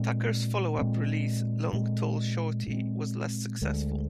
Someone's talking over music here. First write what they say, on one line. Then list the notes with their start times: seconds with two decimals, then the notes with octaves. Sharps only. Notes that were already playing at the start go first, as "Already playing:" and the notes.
Tucker's follow-up release, "Long Tall Shorty", was less successful.
Already playing: A#2 G#3 C4
0.78 A#2 G#3 C4
1.73 A#2 G#3 C4
2.67 A#2 G#3 C4
3.62 D2 D3 G#3